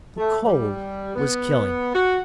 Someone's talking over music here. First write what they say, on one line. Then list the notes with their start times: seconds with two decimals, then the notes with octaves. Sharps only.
The cold was killing.
0.18 A3
0.45 G3
1.15 B3
1.95 F#4